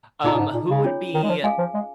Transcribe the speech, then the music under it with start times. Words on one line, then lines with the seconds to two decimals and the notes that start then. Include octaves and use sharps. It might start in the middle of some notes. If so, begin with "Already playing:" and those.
Um, who would be
0.24 A#2 D#4 G#4 D#5 A#5
0.35 A#2
0.40 G#2
0.54 A#2
0.69 C#3
0.84 C#4 F4 G#4 C#5
1.14 D#3
1.23 G#3
1.29 F3
1.44 G#3 G#4 F5 G#5
1.59 F3
1.74 G#3